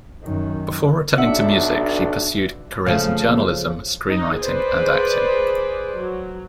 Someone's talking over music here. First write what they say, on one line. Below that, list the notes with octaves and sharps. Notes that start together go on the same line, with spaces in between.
Before returning to music, she pursued careers in journalism, screenwriting and acting.
F#2 D#3
B1 D4 E5 F#5
C#3 F3 A3
D#4
G#4 B4 C5 D5
F#3